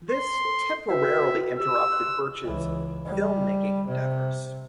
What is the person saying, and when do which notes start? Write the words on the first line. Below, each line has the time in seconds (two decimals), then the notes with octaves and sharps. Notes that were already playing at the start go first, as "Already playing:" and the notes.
This temporarily interrupted Birch's filmmaking endeavors.
0.11 C6
0.45 A4
0.90 F#4 B4 E5 G5
1.60 G4 E6
1.92 C6 F#6
2.44 C#2 E3
3.05 G3
3.88 C3